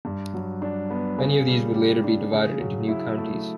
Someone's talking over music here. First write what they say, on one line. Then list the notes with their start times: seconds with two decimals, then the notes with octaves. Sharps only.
Many of these would later be divided into new counties.
0.05 G2
0.34 F#3
0.62 D4
0.90 B3
1.18 C#3
1.47 G3
1.75 G4
2.04 D4
2.32 C#3
2.60 F#3
2.88 E4
3.18 A3